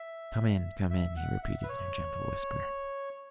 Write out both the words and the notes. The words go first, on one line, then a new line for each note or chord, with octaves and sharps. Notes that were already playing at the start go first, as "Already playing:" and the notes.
"Come in, come in!" he repeated in a gentle whisper.
Already playing: E5
E5
F#5
E5
B4
C#5